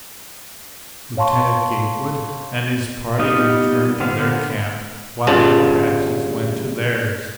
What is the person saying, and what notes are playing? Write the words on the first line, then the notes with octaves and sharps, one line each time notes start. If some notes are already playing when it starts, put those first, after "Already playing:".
Lieutenant Gatewood and his party returned to their camp while the Apaches went to theirs.
C#5 F5 A5 C6 C#6
G3 B3 D#4 D#5 F5
D3 B3 C5 F5
G1 G2 C#3 F4 A5